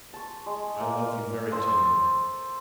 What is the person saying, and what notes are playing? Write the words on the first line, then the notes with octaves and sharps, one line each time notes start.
I love you very tenderly.
A5 C#6
G#3
A#3
A4 C5 D#6